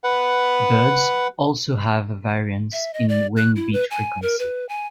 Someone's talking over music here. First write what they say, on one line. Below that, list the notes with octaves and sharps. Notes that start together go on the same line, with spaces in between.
Birds also have a variance in wing beat frequency.
B4 F#5
E5
D#5
D5
F#6
E4
B4
G#5
A#4
B4
G#5